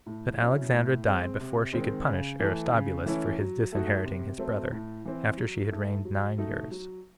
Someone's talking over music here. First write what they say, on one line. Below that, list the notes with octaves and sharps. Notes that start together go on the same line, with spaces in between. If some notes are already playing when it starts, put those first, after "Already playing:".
But Alexandra died before she could punish Aristobulus for his disinheriting his brother, after she had reigned nine years.
A2
F#3 C#4 E4
A2
G#3 C4
C3
D#3 G#3 C4
C#3
E3 A3
C#3
E3 A3 C#4 E4
F#3
A3 D#4 F#4
C3
F#3 A3 C4
A2
E3 C4
F#3
A3 D#4
F#3
A3 D#4 F#4
F#3